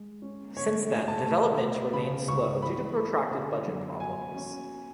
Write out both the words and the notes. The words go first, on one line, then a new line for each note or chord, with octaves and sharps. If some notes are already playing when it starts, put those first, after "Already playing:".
Since then, development remained slow due to protracted budget problems.
Already playing: G#3
C#4
D3 C#5
D2 G#5
A5
A3
D2
C#3 B5
C#2 C#6
E3 B5
A3
D3
F#2
F#3 G#5
C#4